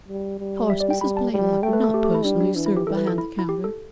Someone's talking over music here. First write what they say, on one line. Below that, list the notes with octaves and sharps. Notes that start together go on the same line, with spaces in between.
Of course, Mrs. Blaylock would not personally serve behind the counter.
G3
G3
E5
D5
G5
G3 B5
A5
G3
A3 G5
B4
A4
G4
G4
E4
G3 D4
D4
E3 D4
E4
G4
E3 A4
B4
A4
E4
E4
G4
A4